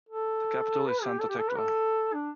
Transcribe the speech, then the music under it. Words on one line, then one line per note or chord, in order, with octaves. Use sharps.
The capital is Santa Tecla.
A4
B4
G4
A4
G4
A4
B4
A4
D4